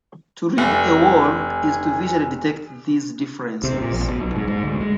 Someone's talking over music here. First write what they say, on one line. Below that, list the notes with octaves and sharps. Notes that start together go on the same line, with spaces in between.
To "read a wall" is to visually detect these differences.
F1 G#5
C3
A#2
A#1
B2
B1
G#2
G#2
D2
G#3